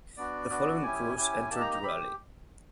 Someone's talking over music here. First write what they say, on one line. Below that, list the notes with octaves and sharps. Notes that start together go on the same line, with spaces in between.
The following crews entered the rally.
B3 D4 F#4 D5
B3 D4 F#4
C#4 E4 G4 G#5
C#4 E4 G4
A#3 D#4 G4 A5
A#5
A#5
G4 B5